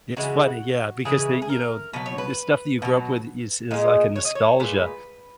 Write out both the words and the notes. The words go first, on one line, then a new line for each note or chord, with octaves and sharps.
It's funny. Yeah, because the you know, the stuff that you grew up with is is like a nostalgia.
C#3 E3 G#3 F#4
C#3 E3 G#3 G#4
G#4
A#4
B2 F#3 B4
C#5
B4
B2 F#3
A#2 G#3 D#5
C#5
D#5
C#5
A#2 G#3 B4